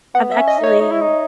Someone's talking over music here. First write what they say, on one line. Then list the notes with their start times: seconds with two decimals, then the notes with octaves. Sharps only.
I've actually
0.14 B3 F#5
0.32 E5
0.36 C#4
0.48 D#5
0.58 D#4
0.64 C#5
0.80 D#4
0.91 E4
1.01 D#4